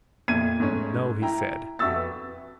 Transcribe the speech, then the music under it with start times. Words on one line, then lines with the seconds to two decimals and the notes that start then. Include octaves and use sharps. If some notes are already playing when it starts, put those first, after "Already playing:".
"No!" he said.
0.28 F2 A#2 E5 G#6 D#7
0.60 G#2 A3 C#4 C#5
1.22 E4 G5 A#5
1.79 F2 F#4 E5 C#6 E6 A6
1.95 B4